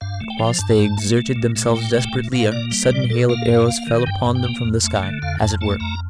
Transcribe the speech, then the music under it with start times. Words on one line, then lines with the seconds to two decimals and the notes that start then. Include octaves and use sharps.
But whilst they exerted themselves desperately a sudden hail of arrows fell upon them from the sky, as it were.
0.01 G2 F5
0.21 A3
0.30 G5
0.39 F3
0.58 G2 A5
0.78 G2
0.98 A3
1.17 A3
1.36 A#2
1.55 A3
1.75 A#2 G5
1.94 A3
2.13 A#2
2.33 A#2 F5
2.52 A#3 D5
2.71 G3
2.90 A#2 D5
3.10 A#2 A4
3.29 A#3 F5
3.49 G2
3.68 A#3
3.87 D#3
4.06 G2 G5
4.25 G2
4.35 G5
4.46 A#3
4.64 F2
4.84 A3
5.03 D3
5.22 F2 F5
5.41 F2 A5
5.61 A3 A5
5.80 F2 A#5